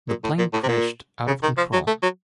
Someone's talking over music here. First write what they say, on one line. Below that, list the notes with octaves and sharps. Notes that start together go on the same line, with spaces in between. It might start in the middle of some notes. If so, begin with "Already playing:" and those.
The plane crashed out of control.
A#2
A2
A#2
A2
C3
A#2
C#3
D#3
F3
F#3
A3
F#3